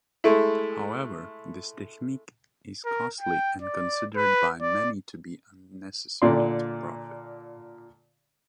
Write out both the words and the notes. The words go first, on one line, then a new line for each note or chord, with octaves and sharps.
However, this technique is costly and considered by many to be unnecessary to profit.
G#3 A3 E4
A#4
G5
D5
B4
D5
A#2 D3 D5 C6